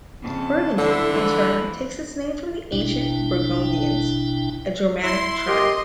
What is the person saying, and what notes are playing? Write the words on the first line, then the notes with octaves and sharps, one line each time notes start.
Burgundy in turn takes its name from the ancient Burgundians, a Germanic tribe.
F2 C#3 A5
D3 E4 A4 C5
E3 F3
A1 B2 D4 E4 G5
E4 C6
G4 A#4 D#5